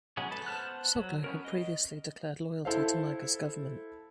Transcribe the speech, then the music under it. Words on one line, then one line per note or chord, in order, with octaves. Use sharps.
Soglo had previously declared loyalty to Maga's government.
F#3 G#3 B3 C#4 G#4
A4 B4 A5
B3 C5 A5 F6 F#6
F#3
B3 C#4 A#4
D#5
E4 A4 C5 F5